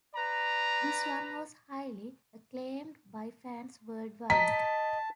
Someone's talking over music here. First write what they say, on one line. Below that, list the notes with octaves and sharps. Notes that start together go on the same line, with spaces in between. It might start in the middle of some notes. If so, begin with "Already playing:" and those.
This one was highly acclaimed by fans worldwide.
B4 D5 A#5
D#5 A5 A#5 B6